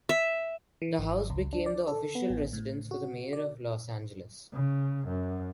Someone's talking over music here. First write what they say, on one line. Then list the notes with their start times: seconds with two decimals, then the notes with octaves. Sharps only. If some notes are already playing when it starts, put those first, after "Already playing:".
The house became the official residence for the mayor of Los Angeles.
0.09 E5
0.82 E3
0.98 G#1
1.30 C#2
1.53 D4
1.66 D5
1.88 A4
2.15 B3
2.30 A1
2.53 A2
2.91 F#4
3.33 D5
4.53 C#3
5.08 F#2